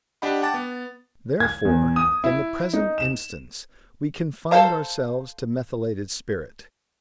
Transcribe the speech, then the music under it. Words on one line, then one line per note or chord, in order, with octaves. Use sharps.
Therefore, in the present instance, we confined ourselves to methylated spirit.
D4 G4 D#5 F#5 B5
F#5 G5 A5 D6 A6
B3
G#6
E2
D#6
E4
D#4
E7
A4 A#4 C5 F5 A#5